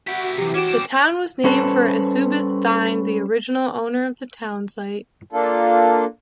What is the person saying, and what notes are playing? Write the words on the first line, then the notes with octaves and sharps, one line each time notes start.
The town was named for Eusebius Stine, the original owner of the town site.
E4 F#4 G4
C3 E3 F#3 G4
C#4 F#4 G5 D6 E7
G3 C#4 A4 B4 C5 A5
A#3 D4 F4 A4